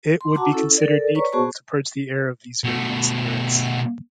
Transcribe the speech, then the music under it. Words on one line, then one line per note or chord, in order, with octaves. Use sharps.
It would be considered needful to purge the air of these vagrant spirits.
C6
F#4 F#5 A5 A#5 D6
C#4 E4 A4
A4 A#4 D5
B4 C#5 D5 A#5 C#6
B3 F#4 G#4 C5 A5 C#6
B2 A3